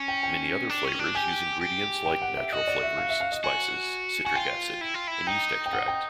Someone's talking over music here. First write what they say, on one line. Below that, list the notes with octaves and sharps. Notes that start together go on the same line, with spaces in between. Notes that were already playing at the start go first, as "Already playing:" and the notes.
Many other flavors use ingredients like natural flavors, spices, citric acid, and yeast extract.
Already playing: C#4
G5
G5
D4
C#4
D4
G4 G#5
G4
G5
F#5
E5
F#4 D#5
D5
E5
F5
E5
F5
D#5
F#4 G#5
F#4 G#5
F4 G5
E4
F4
E4
D#4 G5
G5
F#5
G5